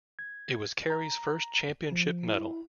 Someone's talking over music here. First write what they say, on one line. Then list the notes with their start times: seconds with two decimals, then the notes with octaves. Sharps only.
It was Carey's first championship medal.
0.19 G#6
0.90 A#5
1.92 F3
2.27 E4